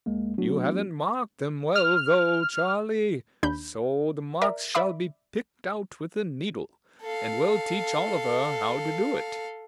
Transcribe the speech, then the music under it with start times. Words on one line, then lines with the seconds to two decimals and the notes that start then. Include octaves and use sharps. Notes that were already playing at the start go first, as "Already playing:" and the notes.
You haven't marked them well, though, Charley; so the marks shall be picked out with a needle, and we'll teach Oliver how to do it.
0.06 D2 G#3 A#3
0.38 F#3 A3 B3 D4 F#4
1.75 F6
3.43 D#2 D4 B5 G6
4.42 A#4 D5 E5
4.75 D5 E5 B5 D6
7.02 A4 F5